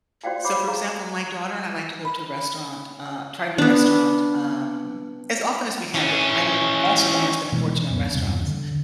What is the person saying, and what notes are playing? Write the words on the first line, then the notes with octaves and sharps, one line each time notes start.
So, for example, my daughter and I like to go to a restaurant uh, try a new restaurant, um, as often as we can, but I'm also don't wanna spend a fortune on restaurants.
F#4 C5 D5 F5 G5
F#4 C5 C#5 F#5 B5 D6
G#4 F5 A#5
B5
B3 D4
E3 C#4
B2 E3 G3 G#3
D1 F#2 A#3 B3
E2 G2 C3
D3